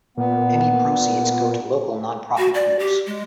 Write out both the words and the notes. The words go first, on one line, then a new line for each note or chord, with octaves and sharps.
Any proceeds go to local non-profit groups.
A#2 B3
F#4
D5
G4
G#3